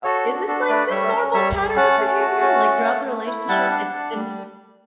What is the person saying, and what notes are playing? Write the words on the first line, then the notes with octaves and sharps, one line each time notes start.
Uh is this like a normal pattern of behavior? Like, throughout the relationship, it's been
F#4 A4 C#5
D4
D4 F#4 A4
A3 B4 D5
G3 C#5 E5
C#4
G3 C#5 E5
G3
C#4 F#5 A5
A3
F#4
C#4
A3
A3
A3
E4
G3 F#5 A5
D4
D4
G3